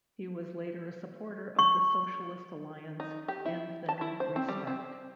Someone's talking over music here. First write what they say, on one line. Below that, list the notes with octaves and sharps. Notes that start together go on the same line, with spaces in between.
He was later a supporter of the Socialist Alliance and then Respect.
C#6
D#4
G4
E4
A5
E4
C5
C4
G3
C4